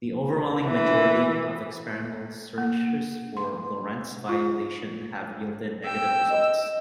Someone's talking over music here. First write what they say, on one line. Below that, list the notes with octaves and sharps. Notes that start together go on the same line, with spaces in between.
The overwhelming majority of experimental searches for Lorentz violation have yielded negative results.
E3
A#3
C6
F4
G5 E6
D#5